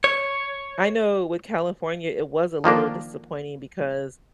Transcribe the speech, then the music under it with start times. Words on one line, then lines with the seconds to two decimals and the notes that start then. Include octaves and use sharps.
I know with California it was a little disappointing because
0.04 C#5
2.64 D#3 F3 A#3 D4